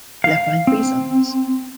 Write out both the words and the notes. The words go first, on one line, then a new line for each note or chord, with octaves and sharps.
He left behind three sons.
F5
C4